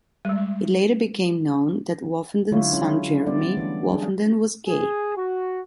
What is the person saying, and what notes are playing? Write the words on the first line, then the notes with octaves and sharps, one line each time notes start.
It later became known that Wolfenden's son Jeremy Wolfenden was gay.
G3 G#3
D3 F#3 E4 F4 C#5 E5
G#3 C#4 E4
G3 B3 D5
C#4
E3 A3 D4
F#3 G3 D4 G#4
G#4
F#4